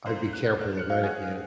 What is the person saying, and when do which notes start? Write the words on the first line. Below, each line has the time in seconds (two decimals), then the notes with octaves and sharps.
I'd be careful about it, yeah.
0.06 F#2 A#3 C5
0.33 F#6
0.61 D4
0.77 F6 F#6 C#7
0.90 F#3 F5
1.03 G#4 C#5 F#5